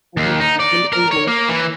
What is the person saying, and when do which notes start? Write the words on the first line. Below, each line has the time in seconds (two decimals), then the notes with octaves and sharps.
Mhm, and able.
0.17 D#2
0.41 D#4
0.60 D5
0.93 A#4
1.11 C#5
1.28 A#3
1.49 E3